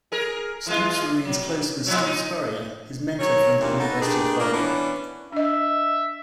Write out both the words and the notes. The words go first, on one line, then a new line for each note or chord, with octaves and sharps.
Stoops remains close with Steve Spurrier, his mentor from the University of Florida.
G#4 A#4
E3 G#3 F4
F#3
A2 F3 F#3
D#4
D#3 F#3 C#4 C#5
D#2 A#2 C#3 E3 C#4 D4
B3 D#4 F#4 A4
A#2 D4 G4 G#4
A#3 D4 F4
E3 B3 C#4 D4
D4 D#5 E5